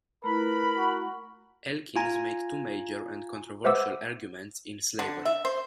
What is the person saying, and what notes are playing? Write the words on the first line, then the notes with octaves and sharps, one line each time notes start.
Elkins made two major, and controversial, arguments in "Slavery".
A3 E4 F4 A#4 B4 B5
F#4
F4 G#5 A#5
B4 C5 E5 F#5 D6 E6
D3
E5
C5